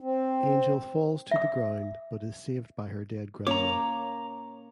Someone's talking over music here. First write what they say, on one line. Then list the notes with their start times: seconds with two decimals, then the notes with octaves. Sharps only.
Angel falls to the ground but is saved by her dead grandma.
0.01 C4
1.31 E5 D6
3.47 A#3 C#4 C#5 A#5 D6